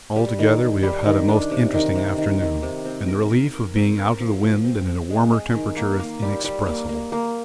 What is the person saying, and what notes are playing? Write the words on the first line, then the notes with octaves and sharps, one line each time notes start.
Altogether we have had a most interesting afternoon, and the relief of being out of the wind and in a warmer temperature is inexpressible.
G3
D#3
D#3
G3
D#3
D4
C3
D#3
C3
D#3
D#3
C3
C4
A#4
A#4
A#4
C4
A#4
F3
F3
C4
C4
G#3
G#3
D#3
A#3
A#3
G3
G3
A#3
A#3
A#3